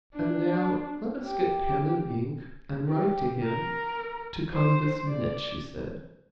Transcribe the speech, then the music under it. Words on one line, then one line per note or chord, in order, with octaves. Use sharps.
"And now let us get pen and ink and write to him to come this minute," she said.
D4
G4
G4
A#4
C5
D5